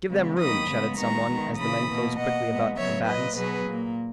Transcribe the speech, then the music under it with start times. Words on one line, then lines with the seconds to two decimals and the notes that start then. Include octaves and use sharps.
"Give them room," shouted some one, as the men closed quickly about the combatants.
0.09 C#3 G#3 B3
0.38 D#3 F#3 A#3 B5 D#6
0.68 C#3 G#3 B3
0.98 D#3 G#3 B3 A#5 C#6
1.27 D#3 G#3 B3
1.57 C#3 E3 A#3 B5 D#6
1.87 B2 A#3
2.17 B2 A#3 D#5 F#5
2.47 A#2 G#3 B3
2.76 C#3 F#3 B3 C#5 E5
3.06 A#2 A#3 B4 D#5
3.36 B2 F#3 B3 G#4 B4
3.67 A#2 A#3